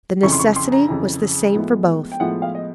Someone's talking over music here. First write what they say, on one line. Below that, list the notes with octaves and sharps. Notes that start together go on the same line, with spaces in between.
The necessity was the same for both.
F2 C#3 E3 C#6
C6
C#6
C6
A#5
F2 C#3 E3
A2 F3 G#3 B3 E4
G5
A2 F3 G#3 B3 E4 F#5
F5
D#5